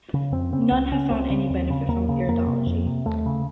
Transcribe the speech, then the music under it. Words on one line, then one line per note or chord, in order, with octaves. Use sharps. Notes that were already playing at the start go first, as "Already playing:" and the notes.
None have found any benefit from iridology.
C#3
F2 C4
C#3 C4
C#2 C4
C#3 C#4
C#2 C4
C#3
D#2
C#3
D#2 A#3
C#3
F2 A#3
C3
F2
C3
D#2 A3
C#3